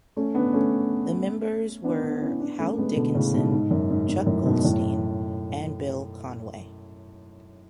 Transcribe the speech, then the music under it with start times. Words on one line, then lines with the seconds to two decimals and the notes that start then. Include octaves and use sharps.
The members were Hal Dickinson, Chuck Goldstein, and Bill Conway.
0.17 A3 C#4
0.35 B3 D4
0.53 A3 C#4
1.84 B3 D4
2.03 B3 D4
2.21 C#4 E4
2.40 B3 D4
2.59 A3 C#4
2.78 G#3 B3
2.96 B2 D3
3.15 A2 C#3
3.34 G#2 B2
3.52 G#2
3.71 F#2
3.90 G#2
4.08 G#2
4.26 F#2 A2
4.45 G#2 B2
4.64 F#2 A2